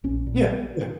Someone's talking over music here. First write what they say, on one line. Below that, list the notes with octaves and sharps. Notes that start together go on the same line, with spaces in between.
Yeah, yeah.
A#1 C#4
A#2
B3